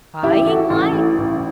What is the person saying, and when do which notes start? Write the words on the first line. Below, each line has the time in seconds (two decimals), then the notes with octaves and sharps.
Spying like!
0.23 A1 E4 G4
0.47 E3 F#4 A4
0.70 A1
0.94 A2
1.18 A1